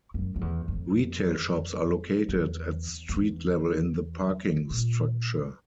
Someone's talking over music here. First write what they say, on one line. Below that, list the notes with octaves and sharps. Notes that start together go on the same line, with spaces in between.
Retail shops are located at street level in the parking structure.
F#2
F2
E2
F2
E2
E2
A#2